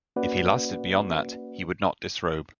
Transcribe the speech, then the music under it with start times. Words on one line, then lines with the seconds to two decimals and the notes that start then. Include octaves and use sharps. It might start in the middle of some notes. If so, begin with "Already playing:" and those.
If he lasted beyond that, he would not disrobe.
0.16 A#3 C#4 F#4 B4 D5 F#5